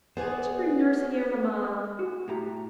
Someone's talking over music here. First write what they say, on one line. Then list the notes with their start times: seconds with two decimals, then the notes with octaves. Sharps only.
Couldn't you bring nurse here, mamma?
0.17 B3 G#4 C5 D5 G#5
1.99 F#4
2.28 A2 G4 A#5